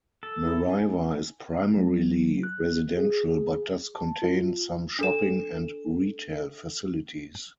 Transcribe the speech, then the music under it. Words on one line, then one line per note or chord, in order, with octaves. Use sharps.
Merriwa is primarily residential, but does contain some shopping and retail facilities.
A4
E4
G#5
F#3
F#6
G#4
A5
F4
D4 A4 E7